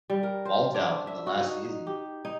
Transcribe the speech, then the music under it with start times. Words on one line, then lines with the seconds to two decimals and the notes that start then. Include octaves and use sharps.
Walt out in the last season.
0.10 G3
0.23 A#4
0.45 C5
0.74 D4
1.07 E5
1.27 F#4
1.41 D#4
1.65 D#4
1.87 G4
2.25 D#4